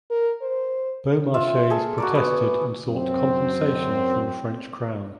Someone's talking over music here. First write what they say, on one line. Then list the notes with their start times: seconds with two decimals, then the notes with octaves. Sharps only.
Beaumarchais protested and sought compensation from the French Crown.
0.11 A#4
0.42 C5
1.34 F4 E5
1.47 G5
1.70 G#4 A4 A5
1.98 F#4 A#4 D5
2.15 B3
2.88 F#2 C4